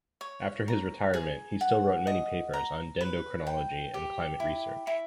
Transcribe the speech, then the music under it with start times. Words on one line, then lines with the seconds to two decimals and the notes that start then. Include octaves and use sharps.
After his retirement, he still wrote many papers on dendrochronology and climate research.
0.21 C#5
0.68 A#5
1.14 G#4
1.61 F#5
2.07 D#5
2.54 A#5
3.01 B4
3.47 G5
3.94 G4
4.40 E4
4.87 E4